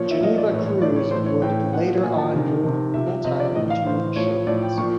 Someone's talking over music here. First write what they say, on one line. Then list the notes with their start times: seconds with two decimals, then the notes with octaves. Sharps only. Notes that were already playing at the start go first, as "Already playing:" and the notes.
Geneva Cruz would later on move full-time into showbiz.
Already playing: A#2 F3 C#5
0.11 E5
0.21 A#2 F3 D#5
0.38 D5
0.51 A2 C#5
0.54 E3
0.66 C#5
0.81 A2 D5
0.85 E3
0.96 C#5
1.11 A2 E3 C5
1.26 C#5
1.42 A2 E3 G5
1.73 A#2 F3 F#5
2.03 A#2 F3 G#5
2.18 A5
2.34 C3 D#3
2.63 C3 D#3
2.94 C3 F3 E5
3.24 C3 F3 D#5
3.40 D5
3.55 A2 E3 D#5
3.70 F5
3.85 A2 E3 C5
4.16 A2 F3 C#5
4.47 A2 F3 D5
4.63 G5
4.78 A#2 F3 C#6